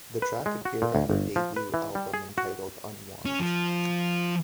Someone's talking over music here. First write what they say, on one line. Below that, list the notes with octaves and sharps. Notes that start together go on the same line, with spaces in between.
The track appeared on their debut album entitled "Unwant".
B4
G#3
F#4
A#2
D2
G1
F3
B4
E3
G3
G#4
F#4
C#4
F3